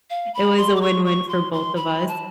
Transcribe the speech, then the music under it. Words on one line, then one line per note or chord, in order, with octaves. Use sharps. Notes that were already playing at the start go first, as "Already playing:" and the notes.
It was a win-win for both of us.
F5
B5
C6
D6
C#6
C#6
C6
C6
B5
A5